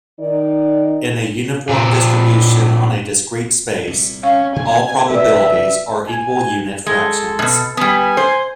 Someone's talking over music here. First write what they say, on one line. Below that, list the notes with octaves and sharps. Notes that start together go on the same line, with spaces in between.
In a uniform distribution on a discrete space, all probabilities are equal unit fractions.
D#3 D#4 D5
A#2 C4
C2 A#2
C#4 F5
B2 A#3 C4 G#5
F1 C#3 E3 B4 D5 E5
G#5
G#3 A4
G#2 B2
G3 B3 G#5
C5